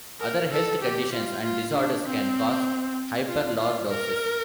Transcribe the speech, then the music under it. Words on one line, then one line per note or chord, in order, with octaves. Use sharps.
Other health conditions and disorders can cause hyperlordosis.
A#4
A4
G4
F4
F4
D4
C4
F4
F4
A#4